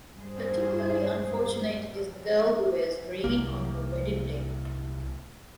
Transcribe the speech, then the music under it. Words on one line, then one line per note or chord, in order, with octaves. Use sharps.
Particularly unfortunate is the girl who wears green on her wedding day.
G2 G#4 C5
C2 A#3